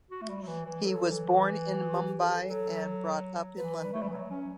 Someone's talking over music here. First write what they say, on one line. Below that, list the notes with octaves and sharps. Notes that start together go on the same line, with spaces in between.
He was born in Mumbai and brought up in London.
F#4
A3
G3
F#3
E3
E3
F#3 A4
E3
G4
G4
A4
A4
F#3 A4
E3 B4
G3
A3
G3
E3
F#3
C#4